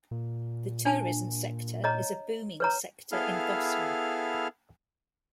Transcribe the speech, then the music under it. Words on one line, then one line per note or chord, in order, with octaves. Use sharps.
The tourism sector is a booming sector in Goslar.
A#2
D4 G#5 A5
C#5 D#5 A#5
B4 C#5 A#5
B3 E4 G#4 A4 F5 F6